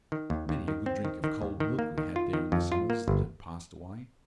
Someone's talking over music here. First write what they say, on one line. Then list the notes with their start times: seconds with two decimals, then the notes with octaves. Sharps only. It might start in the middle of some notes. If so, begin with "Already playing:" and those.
Many a good drink of cold milk we had there in the summers that had passed away.
0.12 D#3
0.30 D#2
0.49 D#2
0.68 D#3
0.86 C4
1.05 D#3
1.24 D#3
1.42 D#2
1.60 D#3
1.79 A#3
1.98 D#3
2.16 F4
2.33 D#3
2.52 F2
2.72 F4
2.90 A#3
3.08 G1